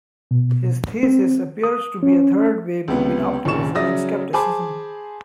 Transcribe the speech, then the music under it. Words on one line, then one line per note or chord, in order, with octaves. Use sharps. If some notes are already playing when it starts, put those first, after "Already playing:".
His thesis appears to be a third way between optimism and skepticism.
B2
C4
D#6
C#4
C#2 C3 B3
F1 A#1 A#2 C#3 C#6 E7
C#3 F#3 D5 E5 D#6 A#6
G#4 C5 G#5 A5 B5 D6